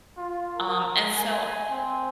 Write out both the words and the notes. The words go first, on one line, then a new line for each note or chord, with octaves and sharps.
um, and so
F4
A#4
G#5
C4